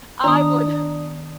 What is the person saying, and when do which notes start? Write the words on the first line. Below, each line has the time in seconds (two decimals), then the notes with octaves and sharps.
I would
0.24 D#3 B3 D4 A#5 D#6